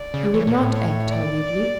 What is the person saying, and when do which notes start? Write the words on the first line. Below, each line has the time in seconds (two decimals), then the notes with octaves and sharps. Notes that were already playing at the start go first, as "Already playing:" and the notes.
He would not act hurriedly.
Already playing: D5
0.14 C#3
0.34 E3 C#5
0.47 A#2
0.59 A2
0.73 C#5
1.12 D5